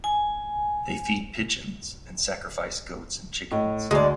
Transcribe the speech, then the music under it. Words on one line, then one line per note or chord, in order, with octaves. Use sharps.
They feed pigeons and sacrifice goats and chickens.
G#5
A2 D#5
D2 G#3 D5